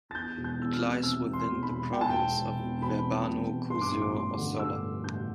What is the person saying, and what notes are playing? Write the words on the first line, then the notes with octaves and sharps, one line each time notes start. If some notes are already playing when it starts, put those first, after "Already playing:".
It lies within the Province of Verbano-Cusio-Ossola.
A6
E2 G6
E1
G6
E2 E6
F6
C3
C3 E6
E1
C6
E1
B5
E1
E1 G5
A5
G5
E1
E1
E1
E1 B5
C3
E1
E1
G2 C6
D6
A1 C6
D6
A1 C6
D3
G2 E6
A3
A1 G6